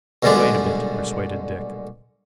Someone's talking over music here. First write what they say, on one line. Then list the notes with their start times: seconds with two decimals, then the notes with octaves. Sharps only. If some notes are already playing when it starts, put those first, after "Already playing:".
"Wait a bit," persuaded Dick.
0.23 B1 G2 A#2 D3 G#3 D4